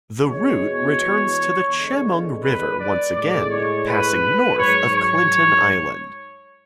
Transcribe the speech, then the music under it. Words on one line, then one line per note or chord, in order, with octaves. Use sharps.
The route returns to the Chemung River once again, passing north of Clinton Island.
E2 B2 G#3 C#5
E2 D3 G#3
B4
D5
A2 G#3 D5
C#5
B4
G#2 F#3 C#5
C#5